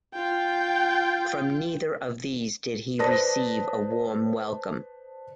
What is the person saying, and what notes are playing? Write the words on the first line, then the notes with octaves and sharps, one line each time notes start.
From neither of these did he receive a warm welcome.
F4 G5
B4 C5 D5 A5 D#6 A#6